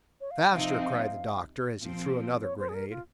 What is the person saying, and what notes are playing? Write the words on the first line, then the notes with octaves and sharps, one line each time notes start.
"Faster!" cried the doctor, as he threw another grenade.
C#5
F5
G5
C3 F3 C4 D#4 F5
A#2 F3 C4
C#5
C5
G#4
A#4
F4